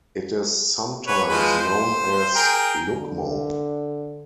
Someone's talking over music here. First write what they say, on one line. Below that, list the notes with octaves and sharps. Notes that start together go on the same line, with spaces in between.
It is sometimes known as lucmo.
B4 C#5
F3 G#3 B4
C5
G#4 A#4 G5
D3